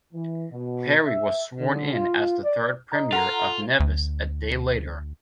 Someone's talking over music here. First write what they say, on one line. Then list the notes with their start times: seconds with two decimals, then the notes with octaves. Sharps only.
Parry was sworn in as the third Premier of Nevis a day later.
0.13 E3
0.51 B2
1.05 E5
1.60 D3
1.92 F4
2.44 D5
2.92 D#5 A#5
3.13 F4 A4 F#5 A#5
3.80 D2